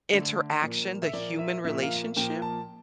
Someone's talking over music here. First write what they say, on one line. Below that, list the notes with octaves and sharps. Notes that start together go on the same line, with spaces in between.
interaction, the human relationship?"
D3 A3 D5
A#2 F3 A#3
E5
A#2 F3 A#3 D5
E5
A#2 F3 A#3 E5
F5
A#2 F3 A#3 G5
A5